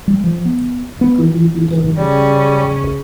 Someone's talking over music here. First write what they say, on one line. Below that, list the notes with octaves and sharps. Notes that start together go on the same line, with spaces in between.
Could You Be the One?
G3
F3
B3
B3
C#3 G3 C#4